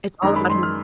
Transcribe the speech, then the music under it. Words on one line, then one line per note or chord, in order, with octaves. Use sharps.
It's all about him.
F#2 D#3 G#3 A#5
B5
C6
F6